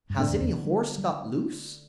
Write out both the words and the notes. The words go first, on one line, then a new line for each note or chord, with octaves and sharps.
"Has any horse got loose?"
G2
A2 D3 A3 C4 A4 D5
E2
E2
E3
G3
G3